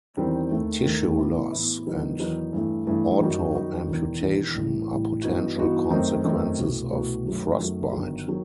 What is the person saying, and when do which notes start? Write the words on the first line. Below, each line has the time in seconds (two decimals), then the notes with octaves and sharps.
Tissue loss and autoamputation are potential consequences of frostbite.
0.17 E2 D#3 G3 C4
0.51 D#2 D#3 A3
0.85 D#2 D#3 A3
1.18 A2 E3 B3 E4
1.52 A2 E3 B3 E4
1.86 E2 D#3 F#3 B3 D#4
2.19 E2 D#3 F#3 B3 D#4
2.53 G2 E3 A3
2.87 G2 E3 A3
3.20 F#2 D#3 G3 D#4 F#4
3.55 F#2 D#3 G3 D#4 F#4
3.88 E1 E2 D#3
4.21 E1 E2 D#3
4.55 A1 A2 G3
4.90 A1 A2 G3
5.23 G2 E3 B3 D#4 F#4
5.56 G2 E3 B3 D#4 F#4
5.91 F#2 D#3 A3 C4 D#4
6.24 F#2 D#3 A3 C4 D#4
6.58 C2 B2 A3
6.92 C2 B2 A3
7.25 F#2 D#3 F#3 A3
7.59 F#2 D#3 F#3 A3
7.92 G1 G2 D#3 F#3
8.28 D#3 F#3